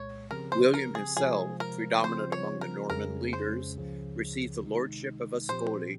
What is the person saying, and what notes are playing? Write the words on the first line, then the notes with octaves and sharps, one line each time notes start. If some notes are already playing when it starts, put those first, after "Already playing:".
William himself, predominant among the Norman leaders, received the lordship of Ascoli.
Already playing: C2 A#2 G#3 C#5
C#3 F3 C4 G4 A#4
C5
A#4
G#4
C3 F3 G#3 G#4
A#4
C#3 F3 C4 F4 C5
C#5
A#4
F2 C#3 G#3 C#4 A#4
C5
C#2 C#3 F3
C3 D#3 G#3 D#4
A#2 F3 C4 G4 C5